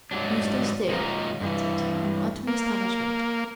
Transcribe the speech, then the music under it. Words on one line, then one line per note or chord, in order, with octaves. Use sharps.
Eustace stared at it in utter astonishment.
G#2 F#3 D4
A#2 D#3 F#3 G#3 F4 A#4
G2 E3
A#3